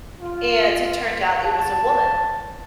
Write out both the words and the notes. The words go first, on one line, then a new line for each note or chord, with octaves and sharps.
and it turned out it was a woman.
F4
A5